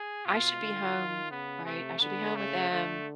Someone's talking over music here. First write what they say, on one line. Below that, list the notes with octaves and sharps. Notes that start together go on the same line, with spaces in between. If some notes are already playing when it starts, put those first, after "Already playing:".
"I should be home, right? I should be home with him,
Already playing: G#4
B2 F4
D3
D#3
C#3 B3
C3 A3
D3 B3
C#3 A3
D3 A3